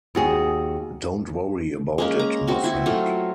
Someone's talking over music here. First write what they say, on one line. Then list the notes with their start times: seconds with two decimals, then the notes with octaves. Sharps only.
Don't worry about it, my friend.
0.15 D#2 F#4 G#4
1.98 G#3 A#3 C#4
2.19 A#5
2.47 C4 F#4
2.64 E4 F#4
2.86 F#3 A3 F4